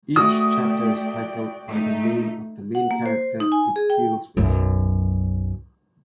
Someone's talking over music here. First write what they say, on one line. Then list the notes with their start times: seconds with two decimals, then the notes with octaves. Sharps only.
Each chapter is titled by the name of the main character it deals with.
0.16 A3 F#4 D5 G5 D#6
1.69 A3 D#4
2.75 F#5
2.91 A#3
3.06 C5
3.40 D#4
3.52 G#5
3.76 G#4
3.90 G5
4.37 B1 F#2